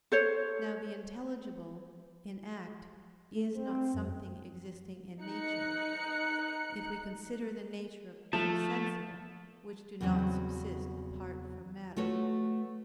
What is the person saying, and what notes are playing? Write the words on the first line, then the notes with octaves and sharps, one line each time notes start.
Now the intelligible in act is not something existing in nature; if we consider the nature of things sensible, which do not subsist apart from matter.
A4 C5 C#5
A3
C4
F#2
D#4 F#6 C#7
F3 A3 A5
E2 C#3 F#3 G3 C4
A3 F4 F#4 A4 B4 C#5